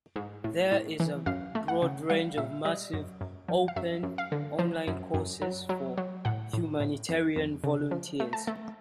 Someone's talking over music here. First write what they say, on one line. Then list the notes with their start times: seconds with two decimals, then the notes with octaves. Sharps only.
There is a broad range of massive open online courses for humanitarian volunteers.
0.16 G#2
0.44 A2
0.72 A2
1.00 E3
1.26 F#2 F5
1.55 A3
1.68 F#5
1.82 C#3
2.10 G3 F5
2.37 A#2 E5
2.65 G3 D#5
2.93 F#2
3.21 F#2
3.48 F3
3.68 F5
3.76 F#2 E5
4.03 F#2
4.18 F5
4.32 D3
4.59 F3
4.87 F#2
5.14 F#2
5.42 F#3
5.69 F#3
5.98 F#3
6.25 A2 F#5
6.53 A2
6.80 A2
7.09 F2
7.36 F2
7.64 C#3
7.91 F3
8.20 A3
8.33 A5
8.47 A3